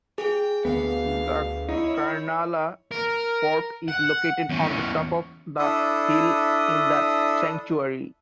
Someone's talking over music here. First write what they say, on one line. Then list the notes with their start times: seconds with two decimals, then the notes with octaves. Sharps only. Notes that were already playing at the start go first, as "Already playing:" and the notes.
The Karnala fort is located on the top of the hill in the sanctuary.
0.18 G#4 G5
0.65 D2 B3 F5
1.69 D#4 E4 C#5
2.91 A#4
3.88 F#5
4.49 E2 C#4
5.59 D4 E4 A4 D#6